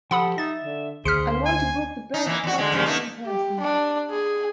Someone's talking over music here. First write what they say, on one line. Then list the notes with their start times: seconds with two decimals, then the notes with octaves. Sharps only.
I want to book the best pub for one person.
0.11 F3 G4 A4 F#5 B5 D#6
0.38 D#4 E5 A6
0.64 D3
1.05 D2 G#4 C5 F6 B6 C#7
1.45 G#5
2.14 D#4
2.26 E3 A#3
2.44 E2 F#4
2.58 D3 G#3
2.72 G2 C#3 F3
2.86 A3 A#3 D#4
3.26 G4
3.60 D4
4.10 G#4